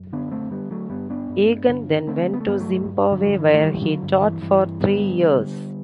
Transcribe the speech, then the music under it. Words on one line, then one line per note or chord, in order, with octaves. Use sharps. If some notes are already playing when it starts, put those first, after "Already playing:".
Eggen then went to Zimbabwe, where he taught for three years.
Already playing: F#2
D3 B3 D4
A3 C4
D3 G3 B3
F#3 A3
G2 G3 B3
B3 D4
G2
D3
D3 A3 C4
B3
A3
G2 G3 B3
F#3 A3
G2
D3 F#3
D3
F#3
E3
A3
D3 E3 G3
D3 F#3
G2 D3
E3
G2 E3
D3 G3 B3
D3